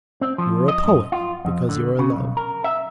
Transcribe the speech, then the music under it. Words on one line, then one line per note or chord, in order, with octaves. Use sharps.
You are a poet because you are low.
C4
F3
D#5
F#2
F4
F2
D3
C#3
B1
A#4
E5